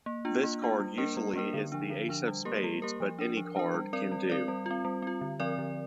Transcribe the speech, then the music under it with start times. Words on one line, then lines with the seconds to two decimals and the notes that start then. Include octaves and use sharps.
This card usually is the Ace of Spades, but any card can do.
0.06 A#3
0.25 D4 F4
0.44 A#3
0.62 D4 F4
0.80 G3
0.98 A#3 D4 A#4
1.17 G3
1.36 A#3 D4 A#4
1.54 D3
1.72 F3 D4
1.90 D3
2.09 F3 D4
2.28 G3
2.45 A#3 G4 A#4
2.64 G3
2.82 A#3 G4 A#4
3.00 F3
3.19 D4 A#4
3.37 F3
3.56 D4 A#4
3.74 G3
3.93 C4 A#4 D5
4.12 G3
4.30 C4 A#4 D5
4.48 G3
4.66 C4 F4
4.85 G3
5.02 C4 F4
5.21 D3
5.40 F3 C4 A#4 D5
5.58 D3